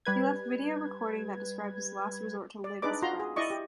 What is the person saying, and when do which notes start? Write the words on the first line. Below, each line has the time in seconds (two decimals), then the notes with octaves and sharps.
He left video recording that describes his last resort to live his friends.
0.05 G3 B4 G#6
2.64 D5
2.82 D4 D#4 G#4 B4 D5 D6
3.02 F4 F#4 A#5 C6
3.20 G#4
3.36 E4 D5 D#5 C#6
3.50 G4